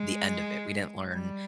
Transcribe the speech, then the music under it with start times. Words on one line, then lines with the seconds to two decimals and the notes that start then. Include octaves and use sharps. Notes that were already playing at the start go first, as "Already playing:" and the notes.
the end of it. We didn't learn,
Already playing: G#3
1.13 G3